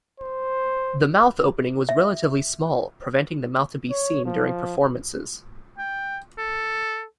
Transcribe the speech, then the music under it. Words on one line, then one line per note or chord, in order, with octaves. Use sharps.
The mouth opening was relatively small, preventing the mouth to be seen during performances.
C5
E5
C#5
F3
G5
A4